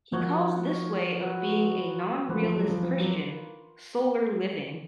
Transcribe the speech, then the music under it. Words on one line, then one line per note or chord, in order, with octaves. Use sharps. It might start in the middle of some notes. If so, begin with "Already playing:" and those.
He calls this way of being a non-realist Christian "solar living".
F3 D#4 F#4 A#4 C#5
F#3 B3 F#4 B4
F3 A#3 F4 B4
F3
F#3
F3
F3
F#3